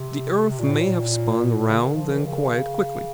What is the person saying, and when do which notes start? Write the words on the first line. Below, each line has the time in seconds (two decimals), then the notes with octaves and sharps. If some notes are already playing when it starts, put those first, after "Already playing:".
The earth may have spun round then quite quickly.
Already playing: C3
0.49 C3
0.59 A#2
0.69 A2
0.79 A#2
1.67 C#3
1.81 D#3
1.96 F3
2.10 D#3
2.25 C#3